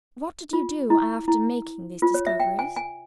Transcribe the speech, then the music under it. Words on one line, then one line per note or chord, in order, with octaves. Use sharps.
"What did you do, after making these discoveries?"
F4
E4
E4
F4
C#5
E5
G5
G#5
G#5